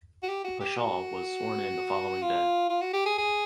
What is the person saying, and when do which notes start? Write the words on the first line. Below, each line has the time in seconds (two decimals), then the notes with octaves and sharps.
Paschal was sworn in the following day.
0.23 F#4
0.29 G4
0.45 F#4
0.60 G4
0.77 F#4
2.22 F4
2.70 F4
2.81 F#4
2.93 G4
3.06 G#4
3.18 G#4